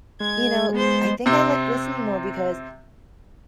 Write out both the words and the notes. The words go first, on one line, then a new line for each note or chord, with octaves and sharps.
you know, I think I like listening more because
G#3 G#6
B3 C5
C3 C4